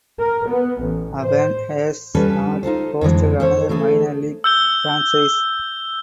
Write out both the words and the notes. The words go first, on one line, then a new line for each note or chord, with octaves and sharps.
Auburn has not hosted another minor league franchise.
A#4
B3
A1
C5
F3 G3 C#4 A4 B4
D#4 F4 A4 C5
F2 D3 E3 G#3
A4 C5 C#5
E3 A3 G#4 A4
E6 G6 G7